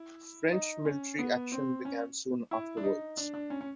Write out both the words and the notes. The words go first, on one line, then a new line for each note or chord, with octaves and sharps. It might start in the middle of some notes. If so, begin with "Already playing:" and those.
French military action began soon afterwards.
Already playing: E4
D#4
C#4
B3
C4
C#4
E4
D4
D#4
D4
D4
C#4
C#4